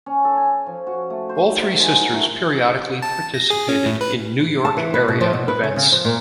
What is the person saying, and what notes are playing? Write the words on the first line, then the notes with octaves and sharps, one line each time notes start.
All three sisters periodically participated in New York-area events.
C#4
A4
G#5
F3
F#4
A3
C5
D#3
G#3
A#4
A3
A5
A#6
G#4
C#4
A2
B4
A5
E3
B4
B2
F3
B2
B4
C#3
C#3
F3
A#2